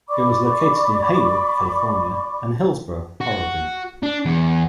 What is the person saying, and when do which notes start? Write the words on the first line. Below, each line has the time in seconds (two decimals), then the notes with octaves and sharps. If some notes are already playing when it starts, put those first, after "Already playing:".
It was located in Hayward, California, and Hillsboro, Oregon.
0.09 D5 B5 C#6 D6
3.21 F#4
4.03 D4
4.25 E2